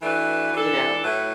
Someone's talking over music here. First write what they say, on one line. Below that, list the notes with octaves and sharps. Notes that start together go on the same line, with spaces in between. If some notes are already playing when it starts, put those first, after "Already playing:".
you know?
E3 A3 D4 F#4 B4
E3 D4 A4
A2 F#3 A3 E4 B4